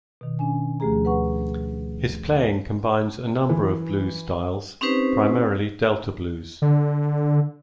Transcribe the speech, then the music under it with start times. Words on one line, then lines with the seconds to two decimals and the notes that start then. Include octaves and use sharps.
His playing combines a number of blues styles, primarily Delta blues.
0.21 B2 D#3
0.39 C#4 D4 G#5
0.80 D2 F3 A3 G4 G#4 A#5
1.05 B4 F#5 C#6
3.49 E3
4.81 C4 C#4 D#4 G4 B4 C5
6.62 D3